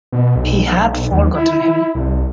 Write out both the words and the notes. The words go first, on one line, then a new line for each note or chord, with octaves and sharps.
He had forgotten him.
B2
B1
D#2
E4
C2